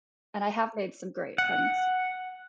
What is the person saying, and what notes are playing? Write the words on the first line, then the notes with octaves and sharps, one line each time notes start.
And I have made some great friends.
F#5